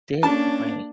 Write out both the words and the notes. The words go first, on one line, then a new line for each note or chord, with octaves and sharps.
this way
A#3 C#4 D4 A5